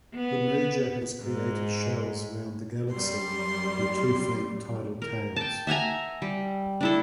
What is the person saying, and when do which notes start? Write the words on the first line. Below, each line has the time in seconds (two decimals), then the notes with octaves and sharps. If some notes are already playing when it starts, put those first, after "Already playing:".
The merger has created shells around the galaxy and two faint tidal tails.
0.16 B3
1.23 G#2
2.94 F#2 G3 C6
5.02 A#4
5.36 G5 A5
5.67 E5 F#5 G#5 A#5
6.22 G3
6.81 D4 E4 A4